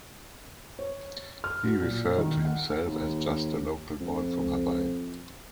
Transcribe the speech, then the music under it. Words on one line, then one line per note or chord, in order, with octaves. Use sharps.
He referred to himself as just a local boy from Hawaii.
C#5
F6
F#3
A#2
D#3
F#5
D#2
F2